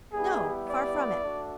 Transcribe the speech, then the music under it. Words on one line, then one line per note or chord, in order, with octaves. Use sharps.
No; far from it.
G3 B3 E4 G4 G#4
D5
A3 D4 F#4